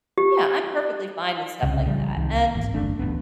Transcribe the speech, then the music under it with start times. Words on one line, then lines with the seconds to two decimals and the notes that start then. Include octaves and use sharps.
Yeah, I'm perfectly fine with stuff like that. And,
0.18 G4
1.63 C2 C#3
1.86 A1 C#3 F3 G3
2.16 C2 D#3
2.55 G#1 E2
2.74 F#1 D3 A3 D4
2.99 D1 A1 G#2 B3